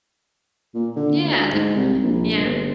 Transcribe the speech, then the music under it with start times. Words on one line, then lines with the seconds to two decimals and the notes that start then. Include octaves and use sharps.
Yeah, definitely. Yeah.
0.74 A#2
0.96 D3
1.22 D2
1.52 G#2
1.76 C2
2.03 A#1
2.37 G1